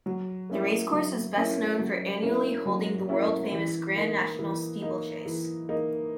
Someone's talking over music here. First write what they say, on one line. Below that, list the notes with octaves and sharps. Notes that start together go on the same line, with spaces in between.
The racecourse is best known for annually holding the world-famous Grand National steeplechase.
F#3
A#3 C#4 E4
F#3
A#3 C#4 E4
F#3
A#3 C#4 E4
F#3
A#3 C#4 E4
E3
A#3 D#4
E3
A#3 D#4
E3
A#3 D#4